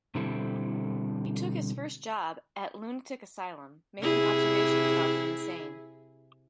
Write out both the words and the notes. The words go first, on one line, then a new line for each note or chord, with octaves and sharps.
He took his first job at Lunatic Asylum making observations about the insane.
B2 D3 G3 C4 E4 A4
C3 E4 G#4